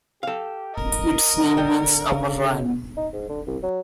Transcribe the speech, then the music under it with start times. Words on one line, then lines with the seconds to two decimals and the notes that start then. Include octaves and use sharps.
Its name means "Upper Rhine".
0.23 G4 A4 F5
0.75 A#4 D#5
1.57 D3 G5
2.12 C#3 A4
2.97 D#4
3.13 G#2
3.29 D3
3.47 C2
3.63 F#3